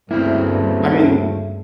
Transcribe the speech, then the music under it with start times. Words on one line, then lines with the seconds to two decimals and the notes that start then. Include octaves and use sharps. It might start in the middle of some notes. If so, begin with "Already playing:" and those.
I mean
0.11 D2 G2 C#3 A3 A#3 C4 E4